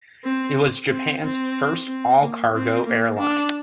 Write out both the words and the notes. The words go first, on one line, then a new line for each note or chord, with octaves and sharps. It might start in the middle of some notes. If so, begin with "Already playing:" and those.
It was Japan's first all-cargo airline.
C4
C4
C4
C4
A#3
C4
A#3
D4